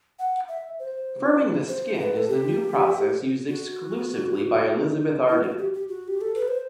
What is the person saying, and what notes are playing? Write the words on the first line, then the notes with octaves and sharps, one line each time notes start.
Firming the skin is the new process used exclusively by Elizabeth Arden.
F#5
E5
C5
C5
A4
B4
A4
G4
F#4
E4
F#4
G4
G4
F#4
G4
A4
B4
C5